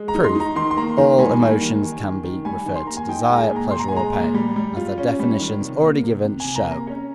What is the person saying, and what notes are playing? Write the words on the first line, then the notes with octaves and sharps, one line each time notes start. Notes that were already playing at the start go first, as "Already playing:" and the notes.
Proof.--All emotions can be referred to desire, pleasure, or pain, as their definitions, already given, show.
Already playing: G#3
A#5
D#4
C6
D#4 A#5
D#3 C6
C6
A#3 A#5
D#3 A#5
G3 G#5
A#3
D#3
D#3
D#3
D#3
G3 G#5
D#3
C6
A#3 A#5
G#5
D#4 G5
G5
G#3
A#5
G#5
A#2
A#5
A#2 C6
A#5
G#5
G#3 A#5
A#2
G3
G3
F4
C#4
G3
D#3
C3
A#3
C3
C3
C3 G#5
A#5
A#3
A#5
C#4 C#5